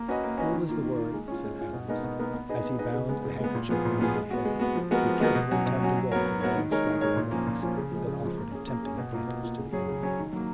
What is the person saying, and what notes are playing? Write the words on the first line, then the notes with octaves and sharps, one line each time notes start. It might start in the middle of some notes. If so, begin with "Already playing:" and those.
"Cool is the word," said Adams, as he bound a handkerchief round my head, and carefully tucked away the long straggling locks that offered a tempting advantage to the enemy.
Already playing: A#3
C#4 F#4 B4 D#5
A#3
C#4 F#4 B4 D#5
D#3
A#3 F4
D#3
A#3 F4
G#3
C#4 F4
G#3
C#4 F4
B2
G#3 B3 D#4 A#4
B2
G#3 B3 D#4 A#4
B3
D#4 G#4 B4 D#5
B3
D#4 G#4 B4 D#5
C#3
G#3 B3
C#3
G#3 B3
A#2
F3 B3 F4 G#4
A#2
F3 B3 F4 G#4
G#3
B3 F#4
G#3
B3 F#4
F3
G#3 B3 F#4 A#4
F3
G#3 B3 F#4 A#4
B2
F#3 C#4 F#4
B2
F#3 C#4 F#4
F#3
B3 F#4 A#4 C#5
F#3
B3 F#4 A#4 C#5
D#3
G#3 D#4 A#4 C#5
D#3
G#3 D#4 A#4 C#5
A#2
F3 A#3 C#4
A#2
F3 A#3 C#4
C#3
F3 G#3
C#3
F3 G#3
A#3
C#4 G#4
A#3
C#4 G#4
B2
A#3 F4
B2
A#3 F4
C#3
F#3 C#4 G#4 C#5
C#3
F#3 C#4 G#4 C#5
D#3
F#3 A#3